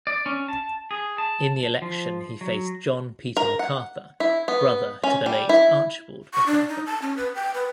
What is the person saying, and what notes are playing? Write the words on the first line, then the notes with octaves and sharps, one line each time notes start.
In the election he faced John Peter McArthur, brother to the late Archibald McArthur.
D5
C#4
A5
G#4
A5
F3
F#3
A#4
F#5
E4
B3
C#4
G3
E4
C#6
D4
D#4
A5
C#4
B4
G5
B4